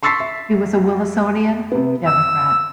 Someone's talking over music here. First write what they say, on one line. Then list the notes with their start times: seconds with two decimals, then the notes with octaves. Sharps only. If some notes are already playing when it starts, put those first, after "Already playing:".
He was a Wilsonian Democrat.
0.03 C6 C#6 E6 A6 B6 C7
0.20 E5
1.72 C3 B3
2.06 E6